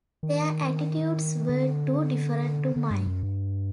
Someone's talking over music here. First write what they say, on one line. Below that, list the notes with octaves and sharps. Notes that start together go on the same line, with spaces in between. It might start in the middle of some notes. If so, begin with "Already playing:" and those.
Their attitudes were too different to mine.
D#3
D3
D3
G2
F#2
G2